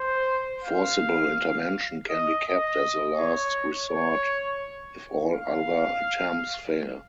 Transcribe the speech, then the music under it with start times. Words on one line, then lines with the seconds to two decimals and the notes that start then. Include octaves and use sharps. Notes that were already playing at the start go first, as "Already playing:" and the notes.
Forcible intervention can be kept as a last resort if all other attempts fail.
Already playing: C5
0.64 F5
2.09 D#5
2.46 D#5
3.17 C#5
3.90 C#5
5.35 F5